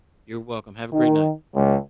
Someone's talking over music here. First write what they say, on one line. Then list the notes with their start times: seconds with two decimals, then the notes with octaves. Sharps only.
you're welcome, have a great night.
0.93 D#3
1.55 C#2